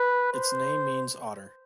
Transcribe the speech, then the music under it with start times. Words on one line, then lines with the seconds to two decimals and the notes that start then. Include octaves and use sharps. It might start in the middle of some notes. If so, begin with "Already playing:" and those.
Its name means "otter".
Already playing: B4
0.33 C5